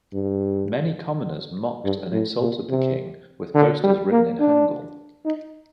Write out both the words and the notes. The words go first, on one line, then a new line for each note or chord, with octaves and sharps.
Many commoners mocked and insulted the king with posters written in hangul.
G2
G2
A2
A#2
C3
D3
G3
A#3
D4
D#4